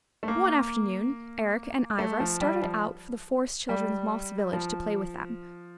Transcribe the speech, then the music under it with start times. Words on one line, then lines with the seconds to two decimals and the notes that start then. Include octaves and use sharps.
One afternoon Eric and Ivra started out for the Forest Children's moss village to play with them.
0.23 A3
0.28 A#3
1.99 A3
2.20 F3
2.41 G3
2.62 F3
3.69 G3
4.53 F3